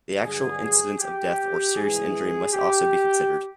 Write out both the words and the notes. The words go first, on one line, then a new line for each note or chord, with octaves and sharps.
The actual incidence of death or serious injury must also be considered.
G2 D3 F#3 G#4
G4
G#2 E3 G#4
G4